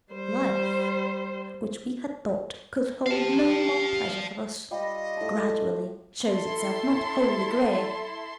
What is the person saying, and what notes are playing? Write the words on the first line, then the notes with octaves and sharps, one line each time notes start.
Life, which we had thought could hold no more pleasure for us, gradually shows itself not wholly grey.'
G3 C5
G4 F5 A5
G3 F4 G4 D#5
A2 A5
E4 A4 C6